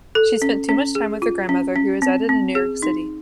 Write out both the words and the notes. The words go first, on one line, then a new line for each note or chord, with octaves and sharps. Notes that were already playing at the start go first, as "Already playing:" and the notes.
She spent much time with her grandmother, who resided in New York City.
A4
C#4
C#4
G#4
F4
C#4
C#4
C4
C4
G#4
D#4